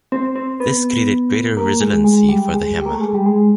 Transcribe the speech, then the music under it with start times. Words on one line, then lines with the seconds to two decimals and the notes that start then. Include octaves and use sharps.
This created greater resiliency for the hammer.
0.12 C4
0.36 C4
0.60 B3
1.57 A#3
1.81 G#3
2.04 G#3
2.29 G3
2.54 G#3
2.78 G3
2.86 A#3
2.94 A3
3.01 G#3
3.14 G3
3.26 G#3